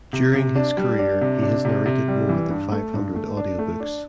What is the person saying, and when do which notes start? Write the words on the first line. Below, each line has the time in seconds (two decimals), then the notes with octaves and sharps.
During his career he has narrated more than five hundred audiobooks.
0.13 C3
0.34 C3
0.56 D4
0.77 G3
0.99 D4
1.21 C3
1.42 D4
1.65 C3
1.86 C3
2.08 G3
2.29 E3
2.50 G2
2.72 A3
2.94 G2
3.15 A3
3.37 D4
3.59 A3
3.80 D4